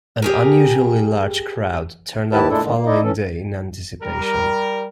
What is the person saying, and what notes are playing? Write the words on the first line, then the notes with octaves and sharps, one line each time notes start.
An unusually large crowd turned out the following day in anticipation.
G4 G#4 A#4
D#2 D#3 E4 G4 B4 A5
A#2 G#3 A3 D4 E4 A4
A2 D3 D#3 G#3
A#3
D#4 E4 D5 D#5
E3 C#4 A4
G3 A#4